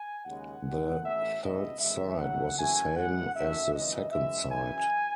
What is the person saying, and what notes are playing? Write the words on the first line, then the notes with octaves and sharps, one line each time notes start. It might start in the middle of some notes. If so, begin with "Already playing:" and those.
The third site was the same as the second site.
Already playing: G#5
D#2 C#3 G#3 F#5
E2 B2 G#3
A1 A2 E3 A3 E5
C#2 B2 G#3 D#5
G#1 F#2 E3 G#3 E5
D#2 C#3 F#3 F#5
F#2 E3 A3 G#5
F#2 C#3 E3 G#3 F#5
F#2 D#3 A3 E5
G#1 F#2 C#3 E3 D#5
F#2 E3 G#3 E5
F#2 C#3 E3 G#5